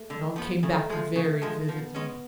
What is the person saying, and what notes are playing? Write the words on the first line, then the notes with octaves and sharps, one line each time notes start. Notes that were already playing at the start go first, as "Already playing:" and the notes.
It all came back very vividly.
Already playing: A3
D3
F3 B3
C#3 A3
F3 G#3
C#3 A3
F3 G#3
F3 B3
G#3 C#4